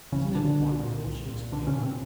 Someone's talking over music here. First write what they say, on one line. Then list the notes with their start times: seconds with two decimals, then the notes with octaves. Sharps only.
"Isn't it wonderful!" she exclaimed.
0.12 C2 C#3 C#4
0.35 A#2 D3 D4
0.59 C2
0.83 A#2
1.06 C2
1.29 A#2
1.52 C2 D3 D4
1.67 C#3 C#4
1.75 A#2
1.82 C3 C4